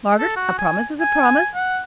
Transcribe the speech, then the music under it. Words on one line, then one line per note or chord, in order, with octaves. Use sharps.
Margaret, a promise is a promise.
A4
F#4
G#5
G#5
F#5